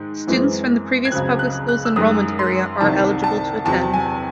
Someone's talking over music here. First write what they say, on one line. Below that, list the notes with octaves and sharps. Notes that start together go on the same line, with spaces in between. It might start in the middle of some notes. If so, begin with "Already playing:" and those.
Students from the previous public school's enrollment area are eligible to attend.
Already playing: G#2 D#3 G#3
F#2 E3 G#3 C4
G#6
C#2 C#3 F#3 C4 F#6
F#6
F#6
E6
F#2 D#3 G#3 D#6
C6
C2 C3 D#3 A5
A5
E2 C3 F#3 A5
G#5